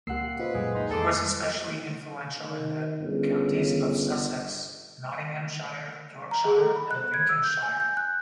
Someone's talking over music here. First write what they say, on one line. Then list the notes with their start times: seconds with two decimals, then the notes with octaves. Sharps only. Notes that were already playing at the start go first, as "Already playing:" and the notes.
He was especially influential in the counties of Sussex, Nottinghamshire, Yorkshire and Lincolnshire.
0.07 C#2 A#3 G4 F#5 E6 C7
0.40 F4 B4 C5 D#5
0.54 F#2 A#2 G#3
0.75 A#3 D#4 C6
0.91 F2 A4 D#5 D6 C7
2.42 D#3
3.00 G1 C#3
6.31 A#5
6.45 G#4
6.57 A4
6.76 B5
6.91 F#6
7.14 G#6
7.29 E6
7.44 G6
7.62 G#5
7.80 G6
7.97 F#6